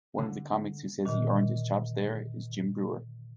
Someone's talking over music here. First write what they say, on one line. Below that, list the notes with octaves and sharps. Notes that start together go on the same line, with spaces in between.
One of the comics who says he "earned his chops" there is Jim Breuer.
D3
A#2 D3 D#3